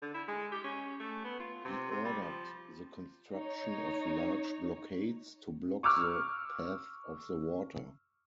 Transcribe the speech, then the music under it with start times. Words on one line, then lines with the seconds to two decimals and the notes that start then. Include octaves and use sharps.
He ordered the construction of large blockades to block the path of the water.
0.02 D3
0.14 E4
0.27 G#3
0.52 G4
0.64 C#4
0.99 A3
1.24 B3
1.40 F4
1.65 C3
1.91 C3
2.04 G3
2.21 F3
3.33 D#4 C#5
5.83 C#6 D6 E6 F6